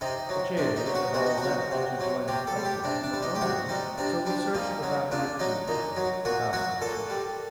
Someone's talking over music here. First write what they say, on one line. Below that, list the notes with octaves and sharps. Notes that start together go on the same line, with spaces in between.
The jailers had all left to join the fighters in the throne room, so we searched the labyrinthine prison without opposition.
C3 D#4
F#3
C3 D4
D#4
F#3
F#4
C3 F#4
D#4
F#4
F#3
C3
F#3
C3 G4
A4
G3
G4
C3 D4
D4
G3
D#4
G4
C3 F#4
G3 D#4
C3 D4
G3 D4
A#2 D#4
F#3
A#2 D4
F#3 D#4
A#2 D#4
F#3
A#2 F#4
F#3 F#4
A#2 A4
G3